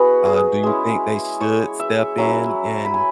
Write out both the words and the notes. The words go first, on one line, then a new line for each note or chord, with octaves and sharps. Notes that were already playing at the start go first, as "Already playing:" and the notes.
Um, do you think they should step in and
Already playing: B3 E4 F#4 G#4 B4 G#5 B5
G#4
G#3 C#4 E4
C#5
E5
F#3 C#4 E4
B5
G#5